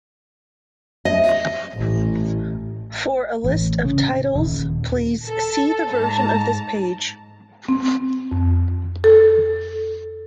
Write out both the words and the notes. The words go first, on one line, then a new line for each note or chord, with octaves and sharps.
For a list of titles please see the version of this page.
D#5
A1
A1
C#3
D#1
A4
G#2 A5 A#5
C4
F2
A4